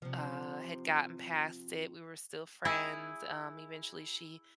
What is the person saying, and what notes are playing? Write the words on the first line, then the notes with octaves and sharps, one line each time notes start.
uh, had gotten past it, we were still friends, um, eventually she
C3 F3
E4 G#4